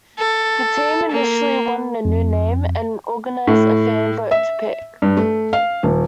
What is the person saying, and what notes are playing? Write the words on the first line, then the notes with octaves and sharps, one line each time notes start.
The team initially wanted a new name, and organized a fan vote to pick.
A4
A#3
F2
A2
E5
G2
A3
F5
D#1